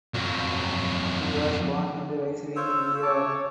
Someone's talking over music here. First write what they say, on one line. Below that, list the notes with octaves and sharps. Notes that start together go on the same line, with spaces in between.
He was born and raised in India.
F2 F#3
F4 C5 C#5 E6
C#5 A5 D6